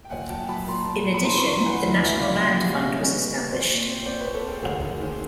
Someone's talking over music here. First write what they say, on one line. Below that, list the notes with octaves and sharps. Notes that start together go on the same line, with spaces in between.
In addition, the National Land Fund was established.
G5
A#2 F#5 G#5
F#3 G5 A5
F#3 A5 B5
A#2 A#5 C6
A#2
A#2
B5
E3 A#5 C6
B5 C#6
E3
A#5 C6
E3 F#5 G#5
D2
D#5
E3
E5
C#3 F5
F#5
A#2 F5 G5
G3 E5 F#5
G3 D#5 F5
G3 C#5 D#5
B3
B3
C4
A#2
C4
C4 C5 D5
B4 C#5
A#2
A4 B4
C4 G#4 A#4
D2 F#4 G#4
D#3
D#3